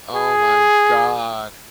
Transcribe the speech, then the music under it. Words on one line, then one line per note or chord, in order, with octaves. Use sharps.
Oh my god.
G#4